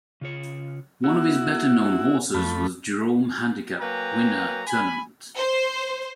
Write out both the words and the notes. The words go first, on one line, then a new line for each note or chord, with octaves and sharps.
One of his better known horses was Jerome Handicap winner, Tournament.
C#3 F4 C#5
B3 E4 F#4
F2 A3 B5
F#3 A#3 B4 G5 G#5 A#5
G#5 B5
C5